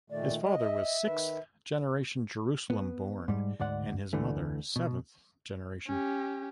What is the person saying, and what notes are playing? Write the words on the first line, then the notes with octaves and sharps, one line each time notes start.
His father was sixth-generation Jerusalem-born and his mother seventh-generation.
A#2 D#3 A3 D5
G#3 D#5
E5
D#3 B4
B3
G#2 G3
D2 G#2 D5 F#5
D2 D3 E3 A3
B2
C#4 G4